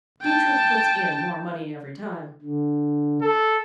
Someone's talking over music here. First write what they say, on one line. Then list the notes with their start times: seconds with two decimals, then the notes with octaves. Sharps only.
Dietrich puts in more money every time.
0.22 G5 A5
2.42 D3
3.21 A4